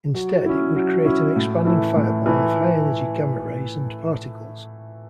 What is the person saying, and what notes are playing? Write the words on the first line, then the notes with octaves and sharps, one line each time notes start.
Instead, it would create an expanding fireball of high-energy gamma rays and particles.
F#3
C#4 E4
F#3
C#4 E4
A2
E3 A3 E4
A2
E3 A3 E4